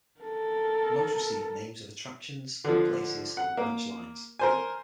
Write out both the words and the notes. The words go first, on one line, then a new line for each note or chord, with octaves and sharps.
Most received names of attractions, places and branch lines.
A4 A#4
D3 F3
F#5
A#3
A#4 C5 G#5